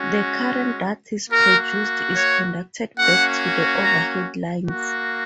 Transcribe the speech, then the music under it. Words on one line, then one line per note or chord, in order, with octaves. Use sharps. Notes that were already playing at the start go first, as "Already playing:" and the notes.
The current that is produced is conducted back to the overhead lines.
Already playing: G#3 C#4 F#4
A#3 F#4 A#4
C#5
A#3 C#4 F#4 F#5
A#5
A#3 F#4